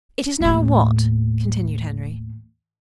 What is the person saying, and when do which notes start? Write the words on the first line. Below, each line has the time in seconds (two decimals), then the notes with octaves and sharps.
"It is now what?" continued Henry.
0.40 D#2 A2